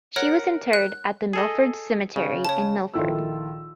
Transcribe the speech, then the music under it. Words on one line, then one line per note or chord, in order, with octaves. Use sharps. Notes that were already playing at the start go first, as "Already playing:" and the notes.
She was interred at the Milford Cemetery in Milford.
A#4 C#5 F#5
F#6
G#4 A4 D#5
C#3
C#5 A5
A#1 D#3 E4 F4 A4 E6